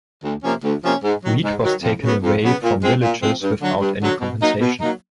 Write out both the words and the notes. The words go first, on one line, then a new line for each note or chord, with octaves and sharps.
Wheat was taken away from villagers without any compensation.
D2
C3 F3 A#3 C#4
D2
C3 F3 A#3 C#4
G#2
D#3 F#3
G#2
D#3 F#3
F2
C#3 F#3 B3
F2
C#3 F#3 B3
A#2
F3 G#3 C4
A#2
F3 G#3 C4
G2
D3 F#3
G2
D3 F#3
B2
F#3 A#3 D#4
B2
F#3 A#3 D#4